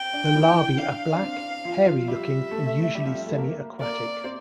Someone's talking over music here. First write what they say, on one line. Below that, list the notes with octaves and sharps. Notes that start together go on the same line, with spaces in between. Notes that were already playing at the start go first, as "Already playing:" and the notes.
The larvae are black, hairy-looking, and usually semiaquatic.
Already playing: G5
D4
E3 E4
D4 F5
D4
C4
F3 F4
F3 F4
G3 G4 E5
A3 A4
A3 A4
A3 A4
G3 G4
F3 F4
A3 A4
A#3 A#4
A#3 A#4 D5
C4 C5